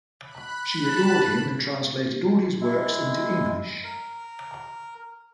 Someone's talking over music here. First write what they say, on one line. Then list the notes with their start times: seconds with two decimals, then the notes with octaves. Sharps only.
She adored him and translated all his works into English.
0.21 B5 F#6
0.88 A5
2.61 G#3 E4
3.84 A#4